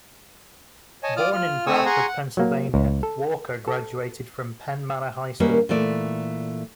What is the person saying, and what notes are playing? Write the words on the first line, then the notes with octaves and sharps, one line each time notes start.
Born in Bradford, Pennsylvania, Walker graduated from Penn Manor High School.
C#5 D#5 G#5 A5
F4 D5 D6 D#6 F6
F4 F6
A3 C4 G#5 C#6 D#6 E6
G#4 F#5 G#5 A#5 C6 C#6
F#5
F#3 A#3
C#2
A4
A4
D#3 G3 A#3 C#4 B4
A#2 E3 A3 D5